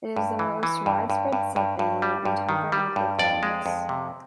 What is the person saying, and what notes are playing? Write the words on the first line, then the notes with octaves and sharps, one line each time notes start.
It is the most widespread subfamily in temperate and cool climates.
G2
E3
E3
G2
G2
G2
G2
G2
G3
G2
D#3
G3
G2
F2 D5
G#3
F2
C3